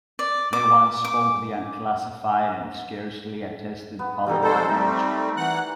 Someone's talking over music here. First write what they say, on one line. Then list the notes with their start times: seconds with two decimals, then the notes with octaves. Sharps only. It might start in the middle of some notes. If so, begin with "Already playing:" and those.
They once spoke the unclassified and scarcely attested Palta language.
0.19 D5
0.53 D6
1.05 D6
3.99 B3
4.26 B2 E3 G3 D#4 A4
4.43 G#3 A4 A#4 C5 C#5
4.68 G3 A3 C4 D#4
5.37 E3 F#5 F#6